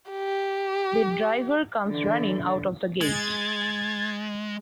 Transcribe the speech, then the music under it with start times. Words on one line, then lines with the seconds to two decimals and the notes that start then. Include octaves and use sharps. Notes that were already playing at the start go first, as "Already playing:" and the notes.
The driver comes running out of the gate.
0.11 G4
1.88 D3 E3
3.01 G#3 G#6 A6